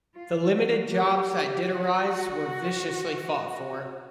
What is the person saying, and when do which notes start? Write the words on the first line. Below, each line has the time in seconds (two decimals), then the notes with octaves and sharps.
The limited jobs that did arise were viciously fought for.
0.15 F4
0.53 F#4
0.91 G4
1.67 F#4